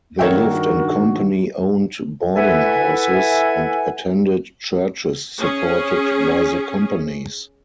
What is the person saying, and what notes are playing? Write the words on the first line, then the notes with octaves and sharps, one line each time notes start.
They lived in company-owned boarding houses, and attended churches supported by the companies.
G2 D#3 F#4 A4 A#4 C#5 E5 G5
E4 A4 B4 E5 F#5 G#5
C#4 G#4